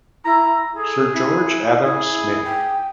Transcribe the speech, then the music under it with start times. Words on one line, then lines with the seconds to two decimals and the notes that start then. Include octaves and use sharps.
Sir George Adam Smith.
0.25 E4 A#5
0.76 G#4 A4
1.13 E4
1.84 E4 G#4
2.44 G5